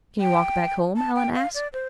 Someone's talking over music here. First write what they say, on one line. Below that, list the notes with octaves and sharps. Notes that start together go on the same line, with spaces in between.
"Can you walk back home?" Alan asked.
G5
A5
G5
F5
D5
C5